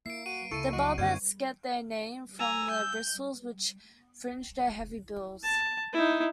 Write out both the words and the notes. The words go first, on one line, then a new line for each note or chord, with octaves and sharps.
The barbets get their name from the bristles which fringe their heavy bills.
A#3 E4 C7 D7
F#4 D#7
C#2 E4 A4 C#6 D#7
F#3 F#4 D#5
F#2 D3 G3 A#3 C4 G#6
G#5 A#5 E6
G6
A5
D#4 E4